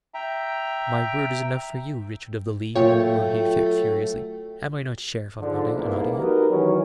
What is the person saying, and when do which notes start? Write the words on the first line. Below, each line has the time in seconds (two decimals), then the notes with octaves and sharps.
"My word is enough for you, Richard of the Lee," roared he, furiously. "Am I not Sheriff of Nottingham?"
0.14 E5 G5 A#5
2.75 A#2 F#3 A3 F4 C#5 G5
5.40 G#2 D3 F3
5.75 C2 G#2 B2 A#3 B3 E4
6.18 D#4 F#4 G4 A#4 B4 D#5
6.50 D#3 E3 F#3 C#4